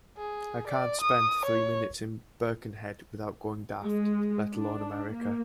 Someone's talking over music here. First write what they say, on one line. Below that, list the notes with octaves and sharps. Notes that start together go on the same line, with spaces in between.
I can't spent three minutes in Birkenhead without going daft, let alone America.
G#4
D5
D#6
C#5
G#3
D4
A#3